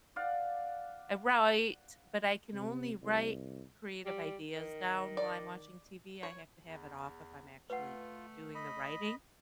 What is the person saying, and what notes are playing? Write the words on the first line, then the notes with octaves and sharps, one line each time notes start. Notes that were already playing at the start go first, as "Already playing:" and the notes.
I write, but I can only write creative ideas down while I'm watching TV, I have to have it off if I'm actually doing the writing,
D5 F5 F#5
C3
C2
G3
D#3
D5
C#5
E2
A3 F4 B4 F#5
D#5 B5